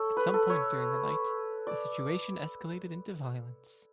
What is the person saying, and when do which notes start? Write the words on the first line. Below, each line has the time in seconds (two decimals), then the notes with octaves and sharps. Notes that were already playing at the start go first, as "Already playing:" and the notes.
At some point during the night, the situation escalated into violence.
Already playing: A4 C#5
0.17 B4
0.34 A4
0.50 C#5
1.67 D5